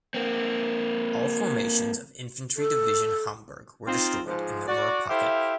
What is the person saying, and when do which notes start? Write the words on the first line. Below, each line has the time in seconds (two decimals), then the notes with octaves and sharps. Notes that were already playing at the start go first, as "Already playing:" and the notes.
All formations of Infantry Division Hamburg were destroyed in the Ruhr Pocket.
0.14 A#3 C4
2.57 A4
3.87 C4 D#4 F4
4.25 G#2 F3
4.68 F#4 D5
5.09 E4 G4 A4 C5 E5 F5